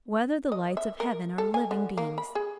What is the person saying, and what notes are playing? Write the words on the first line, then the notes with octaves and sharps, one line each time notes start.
Whether the Lights of Heaven Are Living Beings?
D#5
E5
A#4
A4
G#5
D3
A#3
B5
G#4